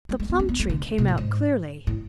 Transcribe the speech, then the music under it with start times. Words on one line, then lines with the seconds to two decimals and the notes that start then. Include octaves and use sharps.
The plum tree came out clearly.
0.09 G#3
0.20 G#3
0.30 B3
0.39 C#4
0.49 B3
0.60 A3
0.69 D3
0.98 B2
1.08 A2
1.18 G#2
1.87 A2